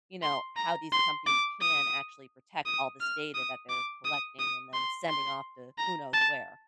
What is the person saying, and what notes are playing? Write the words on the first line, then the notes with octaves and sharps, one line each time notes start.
you know, how these companies can actually protect all this data that they're collecting and then sending off to who knows where.
C6
A#5
C6
D6
D#6
D#6
F6
D#6
D6
D#6
D#6
C6
C6
A#5
A5